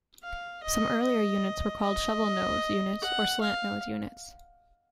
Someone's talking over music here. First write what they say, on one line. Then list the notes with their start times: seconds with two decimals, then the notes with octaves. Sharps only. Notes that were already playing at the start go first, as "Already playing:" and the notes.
Some earlier units were called "shovel nose" units or "slant nose" units.
0.23 F5
0.63 D#5
1.02 D#5
1.82 D#5
3.02 F#5
3.41 F5